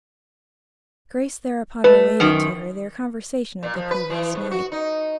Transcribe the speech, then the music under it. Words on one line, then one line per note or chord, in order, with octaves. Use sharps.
Grace thereupon related to her their conversation of the previous night.
A3 B4
F#2 D#3
A#2
F3
B4
E3
G#2
F#4
D#4